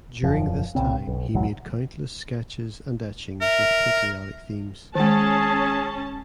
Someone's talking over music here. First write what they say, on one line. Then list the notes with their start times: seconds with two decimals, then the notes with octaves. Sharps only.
During this time he made countless sketches and etchings with patriotic themes.
0.23 E1 F#2 F3
0.75 C2 A#2 C#3 C4
1.07 B1
1.35 F#1 B1 E2 F#3
3.41 A#4 E5
4.95 D#3 G#3 C#4 G#4 A5